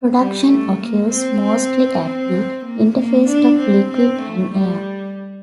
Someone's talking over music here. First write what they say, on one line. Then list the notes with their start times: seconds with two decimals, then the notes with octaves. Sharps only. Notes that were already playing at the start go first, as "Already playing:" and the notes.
Production occurs mostly at the interface of liquid and air.
0.17 G3
0.48 A3
0.79 A#3
1.10 C4
1.41 C4
2.03 C4
2.65 A#3
2.97 A#3
3.27 D4
3.59 C4
3.90 C4
4.21 A3
4.52 G3